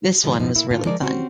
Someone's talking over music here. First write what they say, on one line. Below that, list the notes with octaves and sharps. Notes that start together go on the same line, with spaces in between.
This one was really fun.
G#2 B2 D#3 F3 G#3
F2 A2 F3 D#4
A2 A#3 E4
A2 D3 F4
F3 G#3 A#4 D5
C4 C#4 F#4 G4 C5